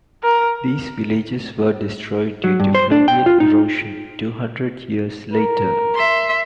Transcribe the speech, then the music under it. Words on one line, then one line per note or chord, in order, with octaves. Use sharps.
These villages were destroyed due to fluvial erosion two hundred years later.
A#4
F#3
G2
C5
D4
G5
F4
D#4
A#4
E5 C6